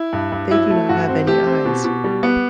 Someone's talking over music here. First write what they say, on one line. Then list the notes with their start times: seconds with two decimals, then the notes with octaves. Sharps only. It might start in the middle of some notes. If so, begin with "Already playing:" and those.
They do not have any eyes.
Already playing: E4
0.13 G2
0.32 G2
0.51 F#3 E4
0.70 A3
0.89 G2 F#4
1.08 C4
1.27 A3 G4
1.47 C4
1.65 B2
1.84 B2
2.04 G3
2.23 B3